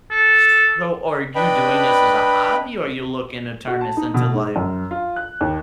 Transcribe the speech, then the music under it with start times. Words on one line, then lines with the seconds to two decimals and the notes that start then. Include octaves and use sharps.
So, are you doing this as a hobby, or are you looking to turn this into, like,
0.11 A4
1.35 D4 B4 D#5 G5 B5
3.67 F#4
3.81 A5
3.97 D#4
4.14 B2
4.34 G#2
4.56 F#2
4.91 F4
5.16 F#6
5.41 D#2